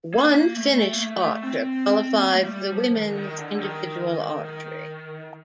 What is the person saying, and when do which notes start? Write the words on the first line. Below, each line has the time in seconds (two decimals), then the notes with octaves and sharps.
One Finnish archer qualified for the women's individual archery.
0.14 A#3
0.57 A3
0.93 A#3
1.00 A3
1.43 C4
1.87 C4
2.15 A#3
2.32 A3
2.43 G3
2.72 F3
2.94 D#3
3.11 D3
3.16 D#3
3.38 D3
3.59 D#3
4.02 D#3
4.45 D#3